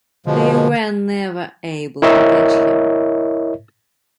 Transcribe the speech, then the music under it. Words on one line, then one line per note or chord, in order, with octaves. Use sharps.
They were never able to catch him.
B2 D3 F3 G#3
E4 A#4 C#5 D#5 E5